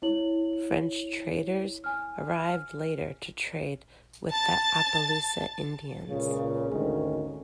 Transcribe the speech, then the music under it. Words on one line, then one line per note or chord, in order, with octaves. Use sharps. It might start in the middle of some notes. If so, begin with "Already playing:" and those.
French traders arrived later to trade with the Appalousa Indians.
E4 C#5 F#7
G#5 F6
A5 A6
C#2 A#2 C#3
G#1 D2 D#3 C#4